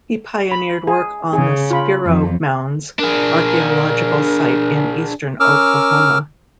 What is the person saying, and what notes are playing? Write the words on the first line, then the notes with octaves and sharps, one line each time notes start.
He pioneered work on the Spiro Mounds archaeological site in eastern Oklahoma.
B5
G#4
C#3 G#4
F4 B5
F2
D4 G#4 A#4
C#4 A#4 D6 E6 F6